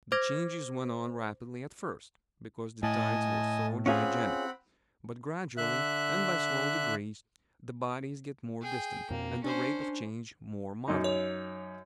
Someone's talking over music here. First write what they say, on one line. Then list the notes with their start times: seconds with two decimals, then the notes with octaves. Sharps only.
The changes went on rapidly at first, because the tides were so gigantic; but gradually, and by slow degrees, the bodies get more distant, and the rate of change more moderate.
0.12 C5 D6 G#6 A#6
2.83 A2 D#5 G#5 A5
3.86 C4 C#4 F4 G#4 F#5 B5
5.58 D3 E5 F#6
8.61 G#4 G5
9.10 F2 B2 A#3 C4
9.44 C#4 D4 C5
10.88 F#2 D#4
11.04 C#5